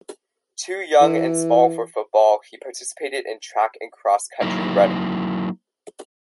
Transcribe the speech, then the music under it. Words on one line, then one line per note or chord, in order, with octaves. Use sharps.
Too young and small for football, he participated in track and cross country running.
E3
F#3 A#3 D#4 E4